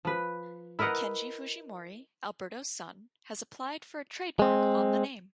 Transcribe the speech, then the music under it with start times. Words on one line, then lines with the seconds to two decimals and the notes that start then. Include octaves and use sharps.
Kenji Fujimori, Alberto's son, has applied for a trademark on the name.
0.05 F3 B4
0.79 E4 A#4 B4 D#5 F#5
4.39 G#3 C4